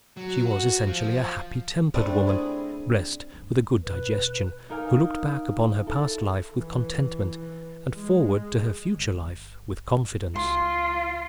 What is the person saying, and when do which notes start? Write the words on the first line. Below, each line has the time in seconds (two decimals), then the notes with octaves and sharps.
She was essentially a happy-tempered woman, blessed with a good digestion, who looked back upon her past life with contentment, and forward to her future life with confidence.
0.17 F#3
0.46 F#4
0.87 F3
1.94 C3 G3 A3 C4 D4
2.27 E4 G#4
3.33 G1 D2
3.83 E1 B2 B4
4.70 D#4 A#4 F5 G#5 D6
5.86 E4 A4
6.55 E3
7.95 G#3
8.96 G1
10.36 C#2 F4 C6